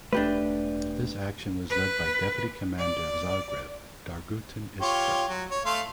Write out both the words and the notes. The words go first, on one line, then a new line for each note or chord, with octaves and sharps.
This action was led by deputy commander of "Zagreb" Dragutin Iskra.
E1 A3 D4 G4 B4
B4
D5
F4 G4 C#5
F#3
C#5
A3 F5 C6